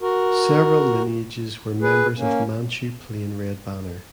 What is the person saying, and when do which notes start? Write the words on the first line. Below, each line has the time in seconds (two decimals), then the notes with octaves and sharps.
Several lineages were members of Manchu Plain Red Banner.
0.02 F#4 A#4
1.81 G#4 B4
2.17 A#3 C#4